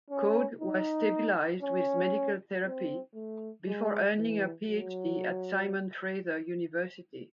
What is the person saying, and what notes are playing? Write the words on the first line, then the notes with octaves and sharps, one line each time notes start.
Code was stabilized with medical therapy before earning her PhD at Simon Fraser University.
C#4
D#4
C#4
C4
A3
G#3
E3
F#3